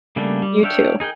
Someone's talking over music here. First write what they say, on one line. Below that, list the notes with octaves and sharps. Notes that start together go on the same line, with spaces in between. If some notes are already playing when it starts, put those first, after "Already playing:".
you too,
C#3 G3 A3 A#3 D4
G3
D4 C#5 E5 F5 G5
D#4 G#4 A#4 G5